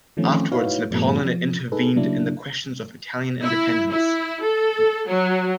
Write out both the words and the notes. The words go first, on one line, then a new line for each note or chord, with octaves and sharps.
Afterwards, Napoleon intervened in the questions of Italian independence.
D#3 F3 A3 C4 C#4
D#4 E4 F#4 B4 C#5 F5
G2 A#2 F3 G3 A3 B3
F3
D#4 G#4 A4 B4
C#3 F#3 A#3 D4 E4
E4
E4
A4
F#3